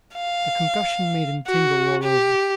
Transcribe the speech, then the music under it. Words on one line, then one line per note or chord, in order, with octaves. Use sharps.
The concussion made him tingle all over.
F5
F#4
G4